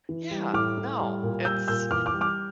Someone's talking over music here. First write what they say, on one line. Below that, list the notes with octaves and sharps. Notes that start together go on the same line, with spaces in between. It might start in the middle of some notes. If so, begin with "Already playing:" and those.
Yeah. No, it's
E3
G3
A2 D6 F6
A2
G3
A#2
G3 E6 G6
A#2 E6 G6
E3 D6 F6
D6 F6
G3
D6 F6